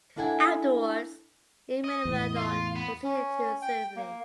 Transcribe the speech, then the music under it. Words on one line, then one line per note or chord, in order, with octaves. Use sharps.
Afterwards, Eurymedon proceeded to Sicily.
A#3 D4 E4 A4 F#5 G#5
D#5
E2 A2
F4
B3
C#4
G5
A#3